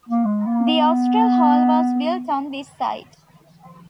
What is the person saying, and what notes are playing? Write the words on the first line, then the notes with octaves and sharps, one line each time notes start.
The Austral Hall was built on this site.
A#3
G#3
A#3
B3